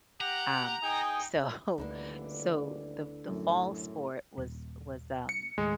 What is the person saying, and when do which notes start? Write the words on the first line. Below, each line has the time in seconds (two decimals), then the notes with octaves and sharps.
Um, so so the the fall sport was was, um
0.21 G4 F#5 A#5
0.83 D#4 G#4 G5
1.78 D#1 D2 D3 E3 D#4
3.28 F#2 A2
4.38 D#1
5.29 C#7
5.58 D#2 A2 G#3